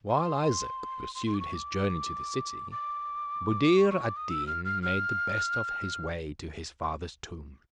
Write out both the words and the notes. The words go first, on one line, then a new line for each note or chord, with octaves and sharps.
While Isaac pursued his journey to the city, Buddir ad Deen made the best of his way to his father's tomb.
C6
C6
C6
D6
C#6
D6
D6
C#6
C#6
D6
D#6
E6
F6
F6
F6